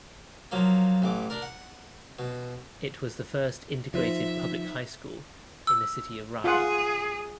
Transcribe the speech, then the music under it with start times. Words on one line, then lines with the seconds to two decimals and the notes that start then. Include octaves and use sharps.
It was the first integrated public high school in the city of Raleigh.
0.52 F3 F#3 A#3
1.02 A1 E3 D6
1.30 D4 A#4
1.42 F#5
2.19 B2
3.94 F3 D#4 C5 E5
5.67 E6
6.44 F4 G#4 F#5